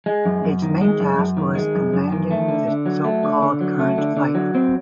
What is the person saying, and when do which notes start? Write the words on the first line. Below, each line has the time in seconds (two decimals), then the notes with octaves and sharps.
Its main task was commanding the so-called "current fight".
0.06 G#3
0.26 F#2
0.45 F#2
0.62 D#3
0.81 G#3
1.00 F#2
1.18 F#2
1.37 D#3
1.55 G#3
1.75 F#2
1.93 F#2
2.12 D#3
2.30 A3
2.48 D3
2.68 D3
2.86 F#3
3.04 A3
3.23 D3
3.42 D3
3.61 F#3
3.79 A3
3.98 D3
4.17 D3
4.35 F#3
4.55 C4